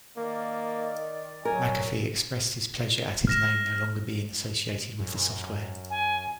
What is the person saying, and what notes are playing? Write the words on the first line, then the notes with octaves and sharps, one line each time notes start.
McAfee expressed his pleasure at his name no longer being associated with the software.
D#3 A#3 D5
F#3 A#4 G#5
F6 A#6 E7
F#2
G#5